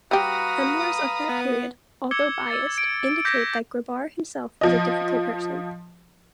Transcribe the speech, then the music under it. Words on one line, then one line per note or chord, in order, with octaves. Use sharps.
Memoirs of the period, although biased, indicate that Grabar himself was a difficult person.
G3 F#4 G4 B4 F5 A#5 D#6
B3
D6 E6 G#6 C#7 G7
E6 A6
D7
D6 G6 G#6 A#6 B6 D7
F3 D#5